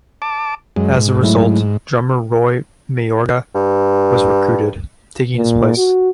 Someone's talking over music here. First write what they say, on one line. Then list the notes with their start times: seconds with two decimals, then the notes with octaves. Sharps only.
As a result, drummer Roy Mayorga was recruited, taking his place.
0.22 A5 D6
0.76 F#2 G#3
0.98 G#2
1.22 F#3 A3 E4
3.55 G2
5.36 A#2
5.77 F#4